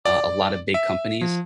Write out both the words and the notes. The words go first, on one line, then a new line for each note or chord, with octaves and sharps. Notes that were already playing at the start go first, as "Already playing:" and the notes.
uh, a lotta big companies,
D5
E5
F3